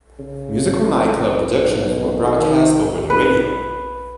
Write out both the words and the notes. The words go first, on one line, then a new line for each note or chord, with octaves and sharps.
Musical nightclub productions were broadcast over the radio.
C#3
F2
B1
D#3
B4